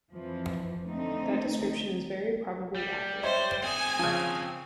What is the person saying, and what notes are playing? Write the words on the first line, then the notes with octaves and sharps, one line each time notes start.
That description is very probably accurate.
F2 E3 F3
D3 A3 C4 D#4
G3
C5 C#5 E5
C4 G#4 G#5
C#3 F3